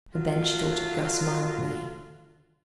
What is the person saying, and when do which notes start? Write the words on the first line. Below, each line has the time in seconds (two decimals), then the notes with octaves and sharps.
And then she thought of Guss Mildmay.
0.15 F#3 A3 F4